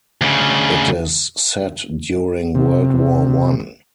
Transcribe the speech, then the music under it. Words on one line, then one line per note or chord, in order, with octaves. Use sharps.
It is set during World War One.
D2 C#3
C3